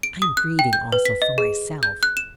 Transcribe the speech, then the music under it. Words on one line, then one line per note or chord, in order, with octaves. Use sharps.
I am grieving also for myself.
D7
D#6
F#6
G5
G6
B4
B6
D#5
G#4
G6
F#6
E7